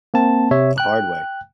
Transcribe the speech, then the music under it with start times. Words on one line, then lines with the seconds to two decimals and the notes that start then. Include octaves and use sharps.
The hard way
0.14 A#3 C4 A5
0.51 C3 C#5 E5
0.78 G5 F#6